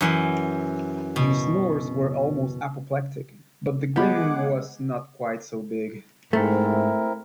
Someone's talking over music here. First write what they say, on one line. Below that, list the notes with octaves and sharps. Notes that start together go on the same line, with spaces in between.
The snores were almost apoplectic; but the grin was not quite so big.
F#2 E3 E5
B2
G#3 B3 G4 G#4 F#5 B5 D6
G#2 A3 C4 E4 A#4